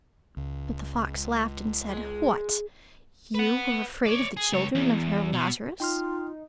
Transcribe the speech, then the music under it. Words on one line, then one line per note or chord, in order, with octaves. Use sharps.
But the fox laughed, and said: 'What! you were afraid of the children of Herr Lazarus?
C#2
G#3
B4 F#5
C#5 D5
G#4
C#2 C#5
E2
B2
D#4 F4 G5 C6 F6